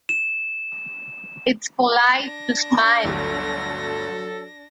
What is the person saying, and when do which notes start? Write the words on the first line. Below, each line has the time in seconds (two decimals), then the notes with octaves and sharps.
It's polite to smile.
0.09 E7
2.22 D4 A#6
3.04 G1 D2 F#3 A4